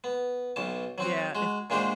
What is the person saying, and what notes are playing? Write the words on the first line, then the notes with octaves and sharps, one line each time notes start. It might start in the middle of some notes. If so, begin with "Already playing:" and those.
Yeah, if
B3
B1 B2 A5
F#3 C4 F#4
G#3 F#4
A#2 G#3 D4 F#4 G4 C5